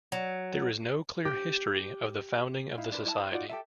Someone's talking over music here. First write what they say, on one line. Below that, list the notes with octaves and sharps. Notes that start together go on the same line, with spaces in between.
There is no clear history of the founding of the society.
F#3
G4
D#4 E4 F5
D4 B4 C5
E4 D5 A5
C5
D#4 F4 F#4 D5
G4 A4 E5